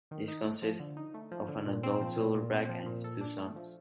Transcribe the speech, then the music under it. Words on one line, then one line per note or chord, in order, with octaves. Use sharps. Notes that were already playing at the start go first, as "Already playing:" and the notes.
These consist of an adult silverback and his two sons.
D#3
D#4
A3
F3
D3
D#4
A3
F3
D3
A#2
C4
F3
A#2
A#2
C4
F3
A#2
A4
D4
A3
F3